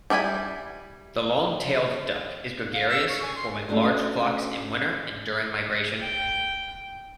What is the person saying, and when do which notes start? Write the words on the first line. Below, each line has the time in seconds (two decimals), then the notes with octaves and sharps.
The long-tailed duck is gregarious, forming large flocks in winter and during migration.
0.10 G3 D4 E4 G#5 B5
2.74 F5
2.89 E6
3.09 C#6
3.22 G#5
3.36 C6
3.69 A3 C#4 D4 F#4
6.00 G5